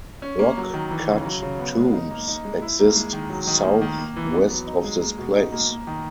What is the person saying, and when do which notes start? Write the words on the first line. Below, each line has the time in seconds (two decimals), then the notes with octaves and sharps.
Rock-cut tombs exist south-west of this place.
0.22 C#4
0.39 A#3
0.57 F#3
0.74 D#3
0.91 E3
1.08 C#3
1.25 F#3
1.42 C#3
1.59 B3
1.77 G#3
1.93 D#4
2.11 A#3
2.28 D#4
2.45 G#3
2.62 E4
2.79 A#3
2.96 G#3
3.13 D#3
3.30 F#3
3.47 D#3
3.65 A#3
3.81 D#3
3.98 A#3
4.16 E3
4.33 B3
4.50 F#3
4.67 D#4
4.84 G#3
5.02 A#3
5.18 B2
5.36 D#4
5.52 A#3
5.70 A#3
5.87 D#3